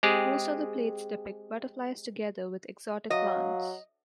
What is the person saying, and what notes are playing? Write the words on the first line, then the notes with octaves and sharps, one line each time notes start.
Most of the plates depict butterflies together with exotic plants.
G#3 C4 G4 G#4
F#3 D#5 F5